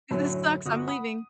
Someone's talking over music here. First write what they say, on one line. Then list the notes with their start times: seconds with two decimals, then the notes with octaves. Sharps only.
This sucks. I'm leaving.
0.11 F#2 A2 D3 F#3
0.66 G1 F#4 D#6
0.87 F#5 B5 D#6